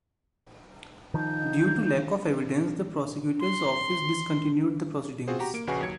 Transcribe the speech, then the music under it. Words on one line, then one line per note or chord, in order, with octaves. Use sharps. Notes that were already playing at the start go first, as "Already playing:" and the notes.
Due to lack of evidence, the Prosecutor's Office discontinued the proceedings.
D#3 F3 D#4 G6
C6
C4 F4 F#4 G#4 C5
F#4 G4 A#5
A#3 D7
A#1 C#3 F#4 B4 G#5 C#6
D#2 F#3 G#6 C#7